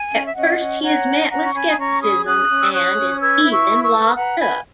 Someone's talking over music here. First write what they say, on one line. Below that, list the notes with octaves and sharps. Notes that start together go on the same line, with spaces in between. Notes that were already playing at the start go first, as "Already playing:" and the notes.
At first he is met with scepticism, and is even locked up.
Already playing: G#5
C#4
E5
C#4 D#5 F#5
C#4
C#5 F#5 A#5
C#4
C#4 F#5 A#5
C#6
C#4 G#5 B5
D#6
C#4 A#5 C#6
G#4 B5 D#6
C#4 D#6 F#6
C#4
E6
C#5 D#6 F#6
C#4
B4 E6 G#6
E4
C#6 E6
B4
C#6 E6
B4
B4 F#5 A#5
B4 G#5 B5